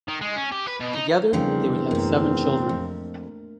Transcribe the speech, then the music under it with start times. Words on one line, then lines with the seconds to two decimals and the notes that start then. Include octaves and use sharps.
Together they would have seven children.
0.08 D#3
0.21 G#3
0.36 C#4
0.52 G4
0.68 B4
0.81 B2
0.94 D#4
1.33 E2 C#3 F3 G3 C4 D4 A#4
1.91 F#2 C3 A3 A#3 A#4
2.69 F2